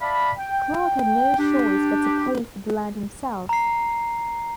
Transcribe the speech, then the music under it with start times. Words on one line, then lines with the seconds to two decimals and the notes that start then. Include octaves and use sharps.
Clark had no choice but to pay for the land himself.
0.01 D5 E5 F5 A5 B5
0.37 G5
1.38 D4 G4
3.49 A#5 C7